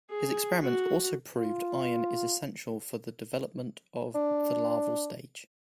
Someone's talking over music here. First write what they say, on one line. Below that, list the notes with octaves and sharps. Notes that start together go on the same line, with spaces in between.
His experiments also proved iron is essential for the development of the larval stage.
G#4
F#4
F4
D4